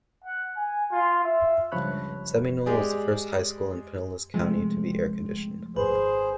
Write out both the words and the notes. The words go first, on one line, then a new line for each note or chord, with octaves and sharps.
Seminole was the first high school in Pinellas County to be air-conditioned.
F#5
G#5
F4
E5
C#2 G2 F3 C#5 B5 F#6
G#3 G4 G#4 D5
C3 F3 G#3 A3
G#1 G#4 B4 C5